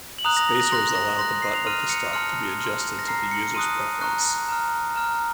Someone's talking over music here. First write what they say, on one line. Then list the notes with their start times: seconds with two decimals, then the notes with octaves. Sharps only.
Spacers allow the butt of the stock to be adjusted to the user's preference.
0.18 F#7
0.24 A#5 D#6 F#6 F7
0.37 A#6
0.49 A#6
0.60 A#6
0.72 C6 F#6 A#6
0.95 A#6
1.19 C6 F#6 A#6
1.31 A#6
1.42 C7
1.55 F7
1.66 C6 F6 D#7
1.89 C#7
2.13 A5 C6 F6 C#7
2.61 C6 F6
2.99 A#6
3.07 A#5 F6 C7
3.31 C#7
3.54 A5 C6 D#6 F#6 D#7
4.01 A#5 C#6 F#6
4.49 A#5 F6
4.96 A#5 F6